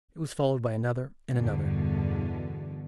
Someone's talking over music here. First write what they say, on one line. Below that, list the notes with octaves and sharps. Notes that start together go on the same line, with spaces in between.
It was followed by another and another.
E2 G2 B2 D3